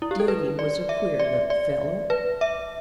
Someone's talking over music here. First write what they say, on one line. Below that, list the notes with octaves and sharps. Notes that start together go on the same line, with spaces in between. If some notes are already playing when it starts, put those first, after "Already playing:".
Davy was a queer little fellow.
E4
G4
A4
B4
D5
E5
D5
D5
B4
E5